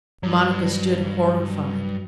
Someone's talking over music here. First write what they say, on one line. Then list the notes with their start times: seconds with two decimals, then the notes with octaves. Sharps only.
Monica stood horrified.
0.23 G2 F#3